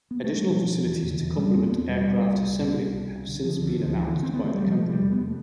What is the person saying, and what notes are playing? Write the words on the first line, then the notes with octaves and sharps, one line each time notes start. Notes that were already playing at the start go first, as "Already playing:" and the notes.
Additional facilities to complement aircraft assembly have since been announced by the company.
B3
A3
G3
B2 F3
B2
E2 E3
E2
D3
B2 E3
B2 G3
D4
E2 C4
E2 B3
B2 G3
B2
C2
C2
B2
B2
C2
C2
D3
D3 F3
D2 D3
D2 F3
D3 E3
D3
C4
D2 B3
D2 A3
G3
C3 F3
A3
C3
G3
E2
B3
A3